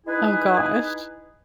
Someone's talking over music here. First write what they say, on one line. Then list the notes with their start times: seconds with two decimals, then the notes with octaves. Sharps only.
Oh, gosh.
0.07 D#4 E4 G#4 B4